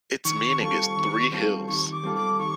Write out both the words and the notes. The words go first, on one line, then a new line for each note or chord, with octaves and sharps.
Its meaning is "Three Hills".
D#3 C#6
G3 C4 F4 A4
D#3
G3 C4 F4 A4
D#3 C#6
D6
G3 C4 F4 A4
D6
D#3 C#6